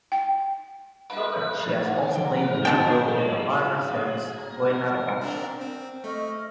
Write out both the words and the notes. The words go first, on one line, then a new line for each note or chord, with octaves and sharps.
She has also played a lead role in Aparna Sen's "Goynar Baksho".
G5
D#4 B4 C5
F#5
F3 G4 F#5 G5
F2 C#3 A#4
G#2 F#3 D#4 G5 A5
C4 D4 A#4
C4
A3 D#5 C#6 F6